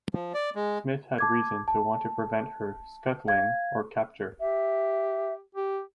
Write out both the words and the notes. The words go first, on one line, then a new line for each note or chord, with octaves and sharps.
Smith had reason to want to prevent her scuttling or capture.
F3
D5
G#3
A5 D6 G#6
A5
F5 G#6
G4 E5
G4